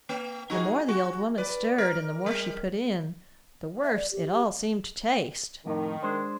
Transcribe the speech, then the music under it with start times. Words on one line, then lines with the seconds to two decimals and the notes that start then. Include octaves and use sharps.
The more the old woman stirred, and the more she put in, the worse it all seemed to taste.
0.09 A#3
0.50 D#4 F#4 G#4
0.89 F#4
1.38 B4 D5
1.78 A#4
2.26 G3
3.84 E5
3.96 D5
4.12 G4
4.31 G4
5.66 F2 A2 D#3
6.03 G#3 D4 C5